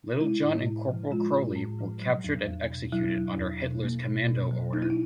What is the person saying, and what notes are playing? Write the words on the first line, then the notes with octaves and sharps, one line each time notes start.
Littlejohn and Corporal Crowley were captured and executed under Hitler's Commando Order.
G#3 E4
A2
A2
F3
G#3 F4
A2
A2
F3
F#3
E2
E2
B2
F#3 E4
E2
E2
B2
A#3
B2
B2
F#3
A#3 D#4
E4
D#4